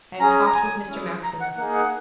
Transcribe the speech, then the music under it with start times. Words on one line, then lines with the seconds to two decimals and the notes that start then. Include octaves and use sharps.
I have talked with Mr. Maxineff.
0.20 C#4 G#4 A#5
0.46 A#5
0.54 G#5
0.88 C#4 E4 G#4
1.23 A#5
1.40 F#5
1.57 A#3 D#4 G#4 F#5
1.74 F#5